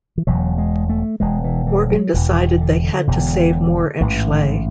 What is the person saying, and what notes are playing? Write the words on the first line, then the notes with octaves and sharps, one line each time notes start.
Morgan decided they had to save Moore and Schley.
E3
E1 E2 B2 F#3
G#3
A3
E1 E2 B2 G#3
E3
E3
F#3
E1 E2 B2 E3
E3
D3
D3
E1 E2 B2
A1 G#2 E3
D3